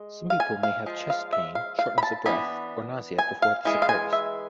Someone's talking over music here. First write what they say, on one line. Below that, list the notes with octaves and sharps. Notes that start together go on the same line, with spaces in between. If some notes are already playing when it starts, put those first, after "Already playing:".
Some people may have chest pain, shortness of breath, or nausea before this occurs.
Already playing: G#3
F5
G#5
F5
F3 G#3
F5
E5
F5
F5
B5
A5
E3 B3 D4 B5
G#5
F5
E3 G#3
F5
G#5
E5